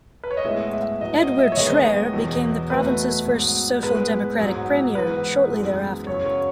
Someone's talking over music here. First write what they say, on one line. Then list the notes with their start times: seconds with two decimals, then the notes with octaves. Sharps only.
Edward Schreyer became the province's first social democratic Premier shortly thereafter.
0.24 B4
0.31 C#5
0.37 D#5
0.45 A2 G#3 B3 E5
0.73 E5
1.00 A2 F#3 B3 D#5
1.19 D#5
1.38 E5
1.52 C#5
1.57 D#2 D#3 G#3 B3 D#5
2.13 E2 B2 F#3 B3
2.70 E2 B2 F#3 A3 B4
3.26 G#2 F#3 B3
3.82 A2 G#3 B3 B4
4.39 G#2 F#3 B3
4.95 G#2 E3 B3 B4
5.51 F#2 E3 G#3 B3
6.07 F#2 C#3 F#3 C#5
6.26 C#5